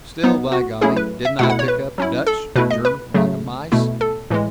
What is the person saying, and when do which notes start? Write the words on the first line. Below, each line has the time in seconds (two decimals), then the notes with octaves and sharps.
Still, by golly, didn't I pick up Dutch--German--like a mice?
0.24 F#3 B3 D#4
0.52 F#4
0.81 F#3 A3 C#4 E4 G#4
0.96 B4
1.25 E5
1.39 B2 A3 E4 F#5
1.50 F#5
1.59 C#5
1.68 B4
1.98 F#3 C#4 E4
2.27 A4
2.56 B2 A3 E4 B4
2.71 D#5
2.85 B4
3.14 C#3 F#3 A3
3.72 B2 A3 E4
4.01 A4
4.30 A2 E3 G#3